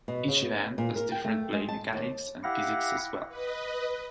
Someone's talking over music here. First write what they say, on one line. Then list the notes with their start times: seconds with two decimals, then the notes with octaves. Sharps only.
Each event has different play mechanics and physics as well.
0.08 B2
0.28 C#3
0.43 B3
0.78 A#2
0.96 A#4
1.12 G5
1.25 A3
1.53 G#3
1.69 A5
1.93 D#2
2.43 E4 G4 F5 F#5 A#6
3.29 B4 D#5